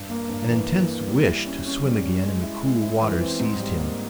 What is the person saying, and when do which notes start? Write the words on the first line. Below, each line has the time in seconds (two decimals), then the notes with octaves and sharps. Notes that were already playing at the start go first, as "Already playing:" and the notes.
An intense wish to swim again in the cool waters seized him.
Already playing: G2
0.10 A#3
0.29 G2
0.49 E3
0.68 A#3
0.88 A#3
1.06 G3
1.26 E4
1.46 C#4
1.65 C#4
1.85 G3
2.04 C#4
2.23 G#3
2.42 E4
2.62 G#3
2.81 E4
3.01 E3
3.21 C4
3.40 G#2
3.59 G3
3.79 A#3